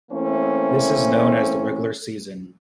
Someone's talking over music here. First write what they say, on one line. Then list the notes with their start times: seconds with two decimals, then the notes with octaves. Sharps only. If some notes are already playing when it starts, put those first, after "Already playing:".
This is known as the regular season.
0.11 E3 A3 A#3 C4 C#4 E4